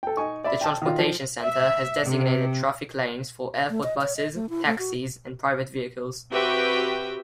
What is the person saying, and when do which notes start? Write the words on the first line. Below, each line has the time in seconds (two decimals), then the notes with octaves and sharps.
The transportation centre has designated traffic lanes for airport buses, taxis and private vehicles.
0.03 A4 G5
0.17 D#4 G#5 C#6
0.44 D5 E5 B5
0.61 G5 A5
0.82 D#3 F4
0.99 F3
1.44 E5
2.05 C3
3.70 A3
3.83 D#5
4.01 C#5
4.16 D#5
4.35 A3
4.50 E4
4.66 A3
4.78 F#4
6.32 C4 F#4 G4 B4 E5 G5